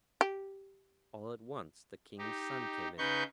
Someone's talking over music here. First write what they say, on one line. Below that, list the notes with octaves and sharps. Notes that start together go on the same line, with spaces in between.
All at once the King's son came in.
G4
D#4 G4
C#3 D#4 B4 C#6 G6